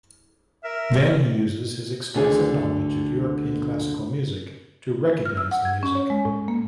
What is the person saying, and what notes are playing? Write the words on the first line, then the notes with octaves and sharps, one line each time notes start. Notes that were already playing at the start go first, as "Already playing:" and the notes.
Then he uses his extensive knowledge of European classical music to recognize the music.
A#4 E5
D2 D3 G#4
F6
E6
F#5
G#6
C#4
C#5
G#3
A2
A#3